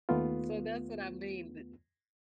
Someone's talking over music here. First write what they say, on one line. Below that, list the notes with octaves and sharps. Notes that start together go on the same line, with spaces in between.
So that's what I mean the
D#2 A3 B3 F4